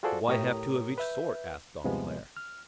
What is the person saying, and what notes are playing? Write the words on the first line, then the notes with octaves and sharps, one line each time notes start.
"But why have two of each sort?" asked Danglars.
F4 F#4 G#4 A4 C5 D5
A2 G4 A#4 C#5 A#5 D#6
B4 E5 G6
G2 C3 F3 G#3 B3
F6